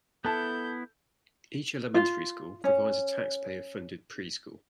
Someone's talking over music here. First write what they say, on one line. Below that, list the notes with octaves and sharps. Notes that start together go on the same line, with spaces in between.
Each elementary school provides a taxpayer funded preschool.
B3 E4 A4 A5 G6
F4
C#4